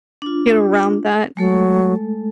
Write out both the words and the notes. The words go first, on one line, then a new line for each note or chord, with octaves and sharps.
get around that.
D4 F4
F#3 G#3 A3 A4